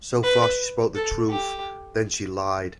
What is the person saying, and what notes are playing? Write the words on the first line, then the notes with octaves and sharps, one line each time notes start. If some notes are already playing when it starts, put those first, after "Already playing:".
So far she spoke the truth; then she lied.
B4
A4
G4